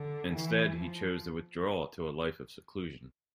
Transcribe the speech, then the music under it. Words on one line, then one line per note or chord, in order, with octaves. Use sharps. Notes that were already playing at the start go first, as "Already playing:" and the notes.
Instead, he chose to withdraw to a life of seclusion.
Already playing: D3
E3
F3